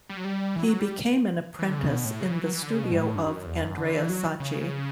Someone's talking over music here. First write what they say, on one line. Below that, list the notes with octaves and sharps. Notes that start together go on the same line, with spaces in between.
He became an apprentice in the studio of Andrea Sacchi.
G3
F#3
G3
E3
F#3
G3
E3
D3
C#3
B2
A2
C#3
E3
F#3
E3
D3
C#3
B2
G2
A2
G2
G2
F#2
E2
F#2
D3
E3
F#3
C#3